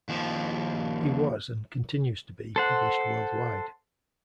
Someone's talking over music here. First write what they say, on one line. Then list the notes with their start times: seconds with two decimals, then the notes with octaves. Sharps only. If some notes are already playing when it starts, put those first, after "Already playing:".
He was and continues to be published worldwide.
0.09 D#2 F3
2.56 A4 C5 F#5